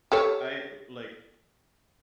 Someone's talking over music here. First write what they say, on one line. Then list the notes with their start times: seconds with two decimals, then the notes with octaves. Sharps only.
I, uh, like,
0.12 G4 A4 C#5